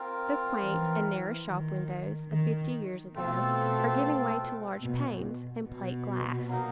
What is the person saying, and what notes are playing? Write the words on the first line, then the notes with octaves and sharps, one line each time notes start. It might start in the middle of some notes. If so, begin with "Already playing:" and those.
The quaint and narrow shop-windows of fifty years ago, are giving way to large panes and plate-glass.
Already playing: C4 F4 A#4
E3
D#3
D#3
B2 A3 C4 F4 A4
B2
B2
F#3 A#3 D#4